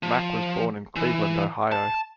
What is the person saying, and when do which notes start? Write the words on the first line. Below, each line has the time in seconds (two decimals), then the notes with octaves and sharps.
Mack was born in Cleveland, Ohio.
0.03 F3
0.96 E3
1.72 A5